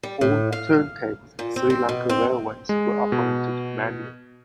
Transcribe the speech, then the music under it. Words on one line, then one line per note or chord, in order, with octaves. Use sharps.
All turntables in Sri Lanka Railways were operated manually.
G3
A2
F5
A#2
C4
C4
B2
C4
G#3
B2